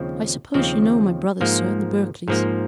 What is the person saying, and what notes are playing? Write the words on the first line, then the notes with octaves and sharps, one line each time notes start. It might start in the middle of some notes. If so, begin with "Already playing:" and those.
"I suppose you know my brothers, sir, the Berkleys."
Already playing: D#2 C#3 F3 C4
D#2 C#3 F3 C4
G#2 F3 A#3
G#2 F3 A#3